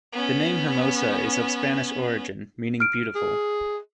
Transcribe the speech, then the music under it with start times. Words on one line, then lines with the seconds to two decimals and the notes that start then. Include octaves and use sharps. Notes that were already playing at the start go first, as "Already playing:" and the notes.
The name Hermosa is of Spanish origin meaning "beautiful".
0.13 B3 C#4
2.80 F6 D7
3.15 G#4